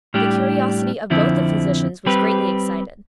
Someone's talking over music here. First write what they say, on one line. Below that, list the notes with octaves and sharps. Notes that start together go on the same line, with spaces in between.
The curiosity of both the physicians was greatly excited.
A2 G3 D4 G4
F2 D3 F3 C4 E4
G3 C4 G4 B4